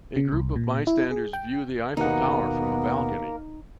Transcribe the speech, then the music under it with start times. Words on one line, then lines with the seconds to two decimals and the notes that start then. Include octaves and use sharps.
A group of bystanders view the Eiffel Tower from a balcony.
0.16 C#3
0.33 C2
0.56 A#2
0.87 E4
1.11 G#4
1.33 G5
1.97 D#2 B2 A#3 B3 D#4 A#4 F#5